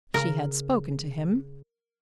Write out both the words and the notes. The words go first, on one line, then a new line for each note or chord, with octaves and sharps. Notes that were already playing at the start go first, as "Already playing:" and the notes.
She had spoken to him.
C#3 A#4